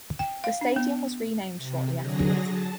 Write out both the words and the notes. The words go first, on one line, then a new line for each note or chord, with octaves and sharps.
The stadium was renamed shortly afterwards.
G5
F5
D4
B3
C3
D3 F#3 G#4 A#6
A5